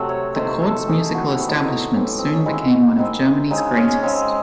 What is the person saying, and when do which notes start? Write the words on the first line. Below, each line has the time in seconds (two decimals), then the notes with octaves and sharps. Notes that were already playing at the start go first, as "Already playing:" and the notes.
The court's musical establishment soon became one of Germany's greatest.
Already playing: C3 F#3 A3 C4
0.09 C#5
0.35 C3 D#3 A3 C5
0.51 C5
0.62 A4
0.88 C3 D#3 A3 G#4
1.09 E4
1.15 F#4
1.40 A2 E3 C4 E4
1.48 D#4
1.55 E4
1.66 D#4
1.93 A2 E3 C4
2.19 C4
2.27 C#4
2.36 D#4
2.46 D#3 G#3 C4 E4
2.99 D#3 G#3 C4
3.51 C#3 G#3 C4 D#4
3.77 C#4
4.03 C#3 G#3 C4